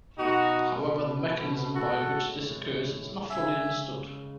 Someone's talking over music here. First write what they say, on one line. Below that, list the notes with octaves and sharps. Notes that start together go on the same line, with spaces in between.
However the mechanism by which this occurs is not fully understood.
B2 A3 D#4 F#4
A2 G#3 F#4 A4
C#3 G#3 E5 G#5